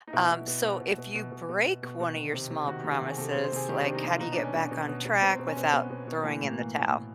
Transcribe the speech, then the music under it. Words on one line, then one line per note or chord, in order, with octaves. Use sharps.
Um, so if you break one of your small promises, like, how do you get back on track without throwing in the towel?
D#4
B2 E4
B2
B2
B2
B2
B2
B2
B2
B2
B2
B2
B2
D#3
C3
C3
D#3 F#4
G4
D#3
F#4
C3 G#4
C3 A4
C5
C3
C5
C3 G#4
D#3 G4
D4
C3
D#4
C3 F4
B2 D#4
B2 D4
C#4
B2 D4
B2
B2
B2
B2 C4
C4
B2
C#4
B2 C4
B2 B3
B2
B2
E3 A#3
A2
A#3
E3
E3
A2